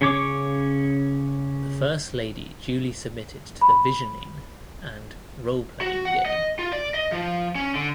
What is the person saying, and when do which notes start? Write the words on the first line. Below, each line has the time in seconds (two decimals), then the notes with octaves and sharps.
The First Lady duly submitted to the "visioning" and "role-playing" game.
0.01 C#3 C#4 C#5 D6
3.61 B5
5.81 F#4
6.05 F#5
6.26 D#5
6.59 F4
6.73 D5
6.94 D#5
7.12 F3
7.55 C#4
7.75 D3